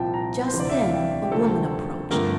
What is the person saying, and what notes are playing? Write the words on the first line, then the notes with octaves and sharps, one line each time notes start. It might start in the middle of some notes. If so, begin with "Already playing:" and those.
Just then a woman approached.
Already playing: C2 A#2 F3 G5 A5
A#5
C5
D2 C3 E3
D5
E5
F5
G5
G4
D2 C3 F3 A3 C4 A4
G2 D3 F3 A3 C4 A#4